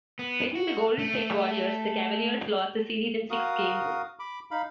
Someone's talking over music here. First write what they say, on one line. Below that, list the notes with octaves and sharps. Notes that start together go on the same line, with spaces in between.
Facing the Golden State Warriors, the Cavaliers lost the series in six games.
B3
F#4
A3
F#4 A#4 F5 D#6
B5 D6
D#4 F5 B5